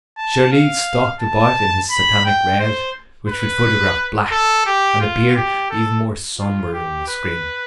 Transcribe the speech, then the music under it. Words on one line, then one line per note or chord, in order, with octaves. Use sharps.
Shirley stalked about in his satanic red, which would photograph black and appear even more somber on the screen.
A5
F5
A5
B5
G5
C5
B4
A4
G4
F4
G4
A4
F4
G4
B4